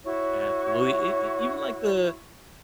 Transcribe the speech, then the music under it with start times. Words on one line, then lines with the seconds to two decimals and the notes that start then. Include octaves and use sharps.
Absolutely, e e even like the
0.05 E4 F#4 C#5 C#6